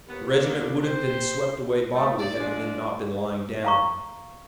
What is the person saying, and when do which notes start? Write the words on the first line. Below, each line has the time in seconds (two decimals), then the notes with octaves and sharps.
The regiment would have been swept away bodily had the men not been lying down.
0.07 D#2 B3
0.30 D#3 A#3 B3 D4
0.83 G4 C5
1.94 A3
2.18 D5
2.36 F3 G#3 D4
3.65 F5 A#5 C#6